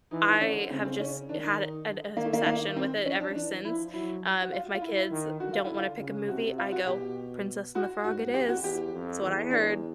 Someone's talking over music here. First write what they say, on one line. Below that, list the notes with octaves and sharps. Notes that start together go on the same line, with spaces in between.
I have just had an obsession with it ever since, um, if my kids don't wanna pick a movie, I go, "Princess and the Frog it is." That's what I heard.
E3 D#4
D#4
D3 C#4
C#3 C4
C4
C#4
D#3 D4
D#4
D3
D#3 A#3
A3
A#3
A#3
C4
F3 C#4
D4
E3 D4
F3 E4
F#3 E4
F#4
F4
F4
E4
E4
D#3
D3 F#4
F4
E4
F4
C#3
C3 F#4
F4
F#4
B2 G4
F#4
G#2 F#4
F2 G4
F#4
E2 G4
F2
E2
D4